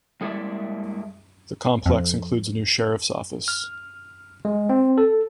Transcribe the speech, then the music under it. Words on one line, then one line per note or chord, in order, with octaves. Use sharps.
The complex includes a new sheriff's office.
G3 G#3 A#3 E4 D5 E5
F2
F6
G#3
C4
A4